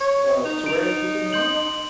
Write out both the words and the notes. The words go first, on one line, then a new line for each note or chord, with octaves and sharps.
Uh, so where is this in England?
C#5
D#4
D7 F7
C6 G6 F#7